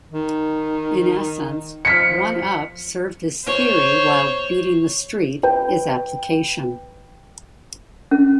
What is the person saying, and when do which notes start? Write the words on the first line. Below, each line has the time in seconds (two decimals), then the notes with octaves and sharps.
In essence, "One Up" served as theory while "Beating the Street" is application.
0.12 D#3
1.85 F3 F6 B6 C#7
3.46 C5 C#5
5.43 B4 G5
8.11 C#4